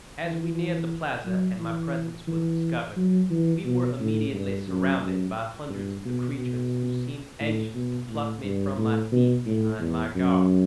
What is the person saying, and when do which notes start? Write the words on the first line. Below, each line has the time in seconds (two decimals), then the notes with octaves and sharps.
As we neared the plaza and my presence was discovered we were immediately surrounded by hundreds of the creatures who seemed anxious to pluck me from my seat behind my guard.
0.24 E3
1.25 F#3
1.60 E3
2.28 E3
2.97 F#3
3.31 E3
3.65 B2
4.00 A2
4.33 G2
4.68 F#2
5.02 F#2
5.70 G2
6.05 B2
6.38 B2
7.40 A2
7.75 B2
8.09 A2
8.44 G2
8.77 A2
9.12 B2
9.46 A2
9.80 E2
10.15 F#2